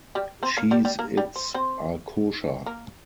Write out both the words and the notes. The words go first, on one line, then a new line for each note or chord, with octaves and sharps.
Cheez-Its are kosher.
G3 G4
C4 C5
A#3 A#4
G3 G4
G3 G4
A#3 A#4
G3 G4
C5
C4 C5
A#3 A#4